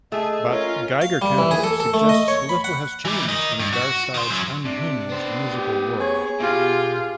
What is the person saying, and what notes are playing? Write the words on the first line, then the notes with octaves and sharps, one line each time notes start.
But "Geiger Counter" suggests little has changed in Garside’s unhinged musical world.
A3 G#4 D#5
C#4 F4 A#4 C#5
F5
G3
E3
G#4
A4
A4
A3
D#5
C#5
B5
F#5
E3 G3
A#4 D#5
G2
F#4
D#3 C5
F#2 F#3
C3 D4
B3 C5
G4
G#4 C#5
B2 F4 G4